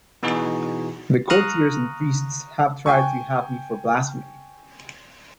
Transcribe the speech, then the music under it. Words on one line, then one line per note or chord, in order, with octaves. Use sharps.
The courtiers and priests have tried to have me for blasphemy.
B2 E3 D#4 F#4 G#4
F5 A#5 C#6 D#6 F6 F#6
G5 G#5 C#6